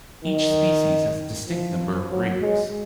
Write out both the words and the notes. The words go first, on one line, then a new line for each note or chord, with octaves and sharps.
Each species has a distinct number of rings.
D#3
F3
F#3
G#3